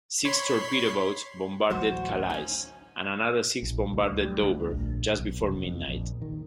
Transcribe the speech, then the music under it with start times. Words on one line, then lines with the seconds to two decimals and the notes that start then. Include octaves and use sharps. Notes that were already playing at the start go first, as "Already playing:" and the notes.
Six torpedo boats bombarded Calais and another six bombarded Dover just before midnight.
0.25 C#5 B5 C6
1.70 A1 D2 F#3 F#4 C5
2.30 C#4 D#4
3.63 A#1
3.93 D2
4.22 G3
4.43 D2
4.71 A#1
5.18 B1
5.42 F1
5.63 F2
5.88 A#1
6.22 D#3